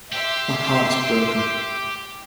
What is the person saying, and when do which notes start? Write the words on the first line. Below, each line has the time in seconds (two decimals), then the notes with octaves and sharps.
My heart is broken.
0.12 G4 E5 C6 E6